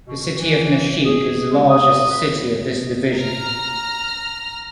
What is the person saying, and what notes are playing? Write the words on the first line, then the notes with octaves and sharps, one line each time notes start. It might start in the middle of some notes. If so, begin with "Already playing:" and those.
The city of Nashik is the largest city of this division.
B2
F#4
E3
G#4
G#3
D#6
B4
A#5 F6